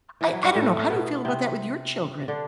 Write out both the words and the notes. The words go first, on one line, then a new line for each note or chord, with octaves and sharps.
I I don't know. How do you feel about that with your children?
E3 E4
F#3
G2 G3
A2 A3
B2 B3
C3 C4
D3 D4